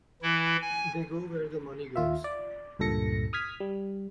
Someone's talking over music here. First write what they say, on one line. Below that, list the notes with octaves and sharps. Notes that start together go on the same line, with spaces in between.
They go where the money goes.
E3 E4
G#5
D#2 F4 E5
D5
C#2 G2 A#2 A4 A#6 C#7
D#6 F6 G#6 B6
G3